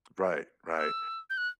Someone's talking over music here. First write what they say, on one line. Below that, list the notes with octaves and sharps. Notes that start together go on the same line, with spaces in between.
Right, right.
E6
G6
F#6